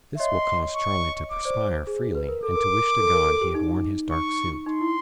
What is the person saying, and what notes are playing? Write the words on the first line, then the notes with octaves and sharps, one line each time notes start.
This will cause Charley to perspire freely and to wish to God he had worn his dark suit.
E5
C#5 D#5 C6
C#6
D6
C5 D5
C5
G#4
B4
A#4
A4 D6
A#4
A4
A#4
A4
G4
D#4
C#6
D#4 C6
E4